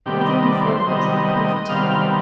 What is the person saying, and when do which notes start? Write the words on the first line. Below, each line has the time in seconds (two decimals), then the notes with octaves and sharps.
Everything before them was on a perfect level.
0.06 C3 D#3 G3 B3 G4
0.26 D#5
0.46 D5
0.67 C5
0.87 C3 D#3 G3 B3 D#5
1.69 C3 D#3 G3 B3 F5